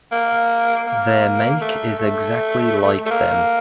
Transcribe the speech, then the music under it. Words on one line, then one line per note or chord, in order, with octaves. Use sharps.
Their make is exactly like them.
A#3
A#3
A3
A3
A3
A#3